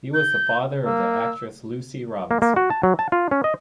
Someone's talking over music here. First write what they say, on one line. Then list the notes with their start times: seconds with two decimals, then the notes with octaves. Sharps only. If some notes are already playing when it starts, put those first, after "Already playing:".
He was the father of the actress Lucy Robinson.
0.14 G6
0.85 A#3 E6
2.31 A#3
2.42 A#3
2.56 F#4
2.70 A5
2.83 F#3
2.99 A5
3.12 F4
3.31 C#4
3.44 D#5